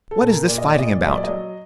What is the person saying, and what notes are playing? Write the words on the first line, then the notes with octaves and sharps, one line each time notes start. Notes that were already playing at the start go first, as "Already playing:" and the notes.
What is this fighting about?
A4
A#2
A#4
A#2 D5
D#5
D5
A#2 D#5
D5
F#3 E5
D#5
D5
F#3 D#5